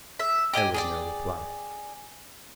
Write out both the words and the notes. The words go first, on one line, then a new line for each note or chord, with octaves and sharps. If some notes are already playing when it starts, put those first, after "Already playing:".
There was no reply.
E5
G4 D#5 G5 G#5
G#4 D5 G5